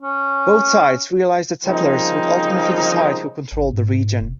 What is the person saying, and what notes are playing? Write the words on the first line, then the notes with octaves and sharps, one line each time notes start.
Both sides realized that settlers would ultimately decide who controlled the region.
C#4
C#3 F3 G3 A#3 C4 D#4
G#1
G#2
F1